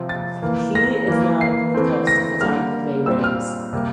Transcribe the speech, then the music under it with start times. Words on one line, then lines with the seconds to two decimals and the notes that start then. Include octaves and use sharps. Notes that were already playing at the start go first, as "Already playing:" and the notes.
He is now a broadcaster for the Tampa Bay Rays.
Already playing: C3 F3 C4
0.09 A6
0.42 E3 A#3
0.75 A#6
1.08 E3 A#3
1.41 C7
1.74 E3 A3 C4
2.07 A#6
2.40 D3 G3 A#3 F6
3.06 A#2 G3 C4 E6
3.24 F6
3.73 C3 G3 A#3